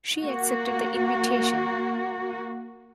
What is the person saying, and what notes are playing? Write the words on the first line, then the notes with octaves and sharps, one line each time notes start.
She accepted the invitation.
A#3 F#4